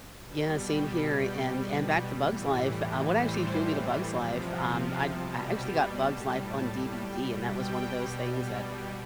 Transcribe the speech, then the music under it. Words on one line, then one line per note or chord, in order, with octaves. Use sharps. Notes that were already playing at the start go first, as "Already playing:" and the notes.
Yeah, same here, and and back to Bug's Life, uh, what actually drew me to Bug's Life, um, I I actually got Bug's Life on DVD and that was one of those things that
B2 G3
G5
B2 G3 G5
B4
A2 E3 G3
A2 E3 G3 C5
C3 F3
F5
B2 G3 A5
G5
A2 G3 A5
A5
B2 G3 G5
G5
B2 G3